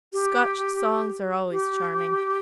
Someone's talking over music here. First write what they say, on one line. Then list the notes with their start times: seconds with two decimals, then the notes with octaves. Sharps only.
Scotch songs are always charming.'
0.13 G4
1.51 G4